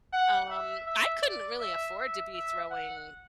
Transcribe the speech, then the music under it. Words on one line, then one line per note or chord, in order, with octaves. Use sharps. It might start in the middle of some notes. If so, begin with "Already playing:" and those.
um, I couldn't really afford to be throwing
F#5
E5
E5
D5
E5
E5
E5
F#5